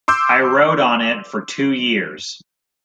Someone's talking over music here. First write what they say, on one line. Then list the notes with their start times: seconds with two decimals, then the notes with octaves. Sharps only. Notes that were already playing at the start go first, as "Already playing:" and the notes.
I wrote on it for two years.
0.08 C6 D6 E6 G6